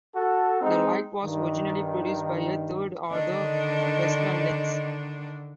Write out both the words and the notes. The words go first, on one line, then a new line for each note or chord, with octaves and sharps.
The light was originally produced by a third-order Fresnel lens.
F#4 A4
G#3 C4 D#4
G2 D#3
D3 D#3 D4 D#5